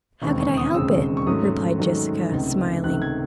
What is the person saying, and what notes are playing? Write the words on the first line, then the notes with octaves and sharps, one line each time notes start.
"How could I help it?" replied Jessica, smiling.
E1 D#2 C#3 G#3 C4 C#6
C#6
D#6
E1 D#2 C#3 G#3 C4 E6
C#6
G#2 D#3 F#3 A3 C#4 D#6
G#2 D#3 F#3 A3 C#4
C#2 C3 D#3 A3
C#2 C3 D#3 A3 F#6
G#6